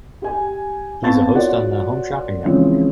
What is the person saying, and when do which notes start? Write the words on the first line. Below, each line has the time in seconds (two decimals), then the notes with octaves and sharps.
He is a host on the Home Shopping Network.
0.22 G4 G#5
1.02 B3 C4 F5 A5 C#6 A6
1.34 F4 F#4 A#4 C#5 D5 F#5
2.44 C#3 E3 F3 G#3 C4 C#4